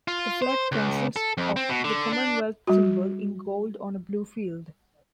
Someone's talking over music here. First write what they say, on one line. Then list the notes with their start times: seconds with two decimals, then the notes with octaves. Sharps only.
The flag consists of the Commonwealth symbol in gold on a blue field.
0.08 F4
0.42 C5
0.72 C#2
1.16 A4
1.38 F2
1.56 C4
1.69 B2
1.84 D3
2.12 D4
2.67 G3 F#4